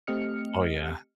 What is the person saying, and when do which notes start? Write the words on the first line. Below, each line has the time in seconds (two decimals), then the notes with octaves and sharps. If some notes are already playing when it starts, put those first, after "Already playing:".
Oh, yeah.
0.07 A3 C4 G4 D#5 F6 C#7